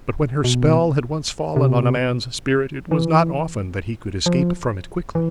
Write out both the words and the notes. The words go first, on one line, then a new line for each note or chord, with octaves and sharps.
But when her spell had once fallen on a man's spirit it was not often that he could escape from it quickly.
B2
C3
E3
F3
E3